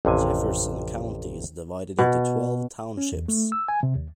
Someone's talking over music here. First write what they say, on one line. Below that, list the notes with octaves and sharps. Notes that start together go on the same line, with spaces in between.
Jefferson County is divided into twelve townships.
A1 F2 C3 G#5
B2
C#4
E2
A3
E6
G#5
C3
D#2